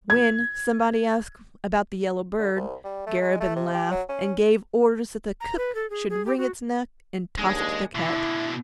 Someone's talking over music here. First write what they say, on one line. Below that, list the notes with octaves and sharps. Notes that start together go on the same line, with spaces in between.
When somebody asked about the yellow bird, Garabin laughed, and gave orders that the cook should wring its neck, and toss it to the cat.
G#6
D3
C2
G3
A3
G#3
A3
C3
G4
F#3
C#4
A#5
B4
A4
G#4
G#4
G4
F#4
D#2 G#3 D4 G#4
B2 D3 E4